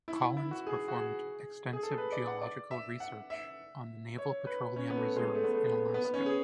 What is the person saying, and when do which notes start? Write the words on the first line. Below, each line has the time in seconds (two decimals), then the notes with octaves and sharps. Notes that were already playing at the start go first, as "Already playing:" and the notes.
Collins performed extensive geological research on the Naval Petroleum Reserve in Alaska.
0.08 E4
0.22 E4
0.37 E4
0.51 F#4
0.67 G#4
0.88 F#4
0.96 G#4
1.73 G#4
1.83 A4
1.98 B4
2.12 D5
2.27 F#5
2.41 D5
2.71 E5
3.00 F#5
3.30 E5
4.18 C#5
4.47 B4
4.76 C#4
4.90 B3
4.96 A3
5.16 G#3
5.35 A3
5.44 B3
5.52 A3
5.65 B3
5.94 B3
6.05 B3
6.14 C#4
6.26 G#4